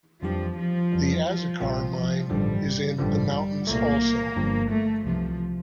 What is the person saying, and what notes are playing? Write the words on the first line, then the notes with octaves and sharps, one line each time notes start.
The Azucar Mine is in the mountains also.
F2 E3 F3 G3 D4 G4
F3
F2 E3 G3
F3
A#1 A#2 G3 C4 F4
F3
A1 G2 D3 F3 G3
A1 G2 D3 F3 G3
C2 A#2 A3 A#3
G1 G2 F3
A3
C2 C3 E3 F3 A3